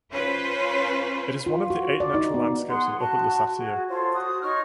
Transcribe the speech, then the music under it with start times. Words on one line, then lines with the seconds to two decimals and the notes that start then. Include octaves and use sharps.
It is one of the eight natural landscapes of Upper Lusatia.
0.12 C#4 F4 B4 C5
1.46 F4
1.70 F#4
2.00 D5
2.14 D#4
2.34 B3
2.68 G#4 F#5 C6
2.97 F#4 A5
3.55 F#4 G#4
3.88 F4 A4 C5 C#5
4.14 F#4 D#6
4.41 D#4 C#5 C#6 F6